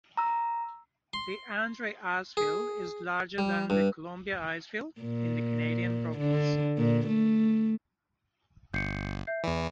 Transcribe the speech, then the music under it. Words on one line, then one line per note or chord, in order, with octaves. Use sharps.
The Andrei Icefield is larger than the Columbia Icefield in the Canadian Rockies.
A#5 E6
C6
G#4
G3
G2
A#2
D3
A#2
A3
G1 G6 C7 C#7
E5 G6 C7
E2 E3 D5